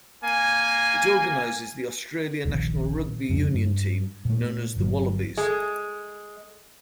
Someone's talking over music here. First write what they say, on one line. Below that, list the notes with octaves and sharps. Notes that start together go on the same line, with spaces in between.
It organises the Australia national rugby union team, known as the Wallabies.
A#3 G#5
D#1 A#1 D#2
C2 F2 C#3 A3
G2
A#2 A3
G1 F#3
G#3